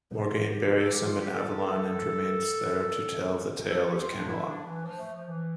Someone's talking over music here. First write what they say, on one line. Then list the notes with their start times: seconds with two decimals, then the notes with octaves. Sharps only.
Morgaine buries him in Avalon and remains there to tell the tale of Camelot.
0.18 F4
0.48 G4
0.77 A4
0.91 G4
1.05 F4
1.21 G4
1.35 A4
3.67 A4
3.92 G4
3.98 F4
4.18 D4
4.26 E4
4.46 D4
4.65 E3
4.85 F3
4.99 A3
5.14 F3
5.28 E3